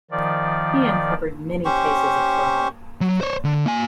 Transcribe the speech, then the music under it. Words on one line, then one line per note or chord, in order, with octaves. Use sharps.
He uncovered many cases of fraud.
D#3 F3 D5
C#4 G4 C5 C#6
F#3
C5 C#5
D3
A#3 G#5